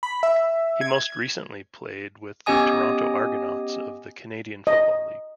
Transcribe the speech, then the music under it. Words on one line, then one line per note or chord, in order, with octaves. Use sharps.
He most recently played with the Toronto Argonauts of the Canadian Football League.
B5
E5
G#6
B3 C#4 G4 D#5 G#5 D#6
D#5